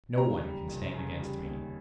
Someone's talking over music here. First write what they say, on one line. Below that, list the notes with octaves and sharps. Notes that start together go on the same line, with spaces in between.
No one can stand against me.
C#3 A#5
G3
F1
C#3
G3
D#2